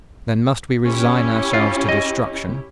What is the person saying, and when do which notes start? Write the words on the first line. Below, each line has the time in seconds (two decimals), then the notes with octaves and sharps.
"Then must we resign ourselves to destruction?"
0.85 C#4 E4 G4
1.54 F4
1.89 D#5